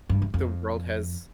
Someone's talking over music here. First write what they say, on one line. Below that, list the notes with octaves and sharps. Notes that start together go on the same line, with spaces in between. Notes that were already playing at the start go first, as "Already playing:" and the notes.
the world has,
G2
F#2
F2